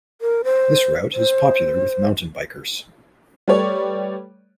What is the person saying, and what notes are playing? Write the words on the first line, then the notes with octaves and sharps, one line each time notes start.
This route is popular with mountain bikers.
A#4
C5
C5
G3 A3 B4 C#5 D5